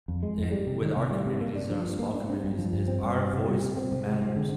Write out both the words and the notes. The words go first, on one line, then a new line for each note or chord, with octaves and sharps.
in with our communities, and our small communities, is our voice matters.
F2
G#3
F2
G3
C3
D#3
C3
G3
C3
A#3
D4
F3
G2
A#3
D4
C4
G2
F3
G2
C4
G2
C4
C3
G3
C3
C4
C3
G#3
C4
D3